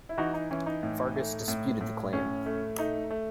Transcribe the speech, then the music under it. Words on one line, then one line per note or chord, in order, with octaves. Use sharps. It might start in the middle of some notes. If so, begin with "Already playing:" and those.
Fargas disputed the claim.
E4
E3 D#4 F#4
D#4
E3 C#4
D#4
A2
A3
A2
A2
A2 C#4
A3
A3 D#4
A3